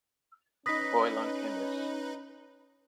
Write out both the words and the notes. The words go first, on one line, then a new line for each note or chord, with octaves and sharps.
Oil On Canvas.
C#4 D#4 B4 D#6 A#6 B6